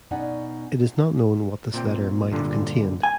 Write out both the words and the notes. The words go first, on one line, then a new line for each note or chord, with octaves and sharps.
It is not known what this letter might have contained.
B2 C#4 D#4 D5 F#5
A#2 C4 G5
G2 A#2 D3
G#5